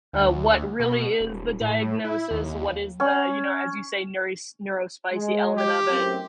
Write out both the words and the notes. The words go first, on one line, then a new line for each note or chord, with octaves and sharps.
uh, what really is the diagnosis, what is the you know, as you say, neuros neurospicy element of it.
D2
B2
D#1
A2
E4
D#2
C#4
G#3
G4
F#2 A2 C4